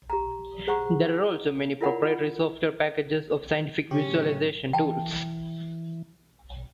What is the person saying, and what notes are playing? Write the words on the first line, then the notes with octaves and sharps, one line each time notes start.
There are also many proprietary software packages of scientific visualization tools.
G4 A#5
G#4 C5 F#5 A#5 C#6
E4 F4 A#4 D5 F#5 B5
A2 C#3 F#3 C#4 G4
E3 G5 A5